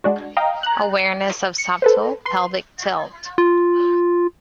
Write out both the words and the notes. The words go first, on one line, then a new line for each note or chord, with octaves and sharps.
Awareness of subtle pelvic tilt.
G#3 D4 F#4
D#5 F5 G5 A#5
A#5 F#6
C#7
A4 B4 C5
B4 C6
F4